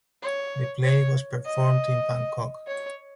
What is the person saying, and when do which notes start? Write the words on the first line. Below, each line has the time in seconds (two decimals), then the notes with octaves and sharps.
The play was performed in Bangkok.
0.23 C#5
0.84 C#5
1.46 D#5
2.68 C#5